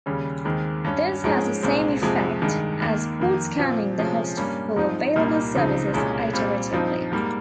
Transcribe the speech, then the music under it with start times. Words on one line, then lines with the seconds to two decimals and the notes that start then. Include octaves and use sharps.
This has the same effect as port scanning the host for available services iteratively.
0.06 D#2 C#3 G3 C#4
0.45 D#2 D#3 G#3 C4
0.85 G2 G3 C#4
1.24 G#2 F3 G#3 C#4
1.63 C2 A#2 G#3 C4
2.02 F2 C3 F3 G#3
2.42 G2 D#3 G#3
2.80 D#2 D#3 A#3
3.20 F2 D#3 A#3 D#4
3.59 A#2 F3 C4
3.98 C3 F3 G#3 C#4
4.37 G2 G3 A#3 C#4
4.76 G#2 F3 C4 D#4
5.16 C2 A#2 G3 A#3 D#4
5.55 C#2 C#3 F3 C4 D#4
5.94 C2 A#2 G#3 C#4
6.33 A#2 G3 C4
6.72 G2 F3 C4 D#4
7.12 G#2 G3 A#3